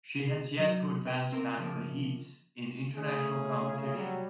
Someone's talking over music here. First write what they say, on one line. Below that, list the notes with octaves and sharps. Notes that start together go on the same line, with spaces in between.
She has yet to advance past the heats in international competition.
G#4
F#3
B4 G5
C4 A#4
C#3 F3 A#3
C#3 A3 C#4 G#4
F#3 G3